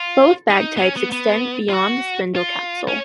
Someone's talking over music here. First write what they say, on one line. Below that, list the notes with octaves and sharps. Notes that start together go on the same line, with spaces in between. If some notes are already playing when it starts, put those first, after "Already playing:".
Both bag types extend beyond the spindle capsule.
Already playing: F4
D#4
B3
C#4
B3
B3
F4
F#4
F4
C#4